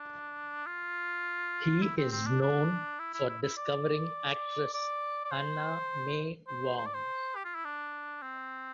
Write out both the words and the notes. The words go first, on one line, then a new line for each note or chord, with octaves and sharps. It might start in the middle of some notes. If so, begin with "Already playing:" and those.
He is known for discovering actress Anna May Wong.
Already playing: D4
F4
E4
C4
C4
D4
D4
E4
E4
E4
E4
D5
D5
D5
C5
C5
C5
D5
C5
G4
F4
E4
D4
C4